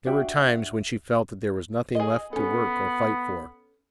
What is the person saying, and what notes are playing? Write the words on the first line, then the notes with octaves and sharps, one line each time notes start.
There were times when she felt that there was nothing left to work or fight for.
D4 F#4 E5 G5
G#4 D#5
B3 C#4 A4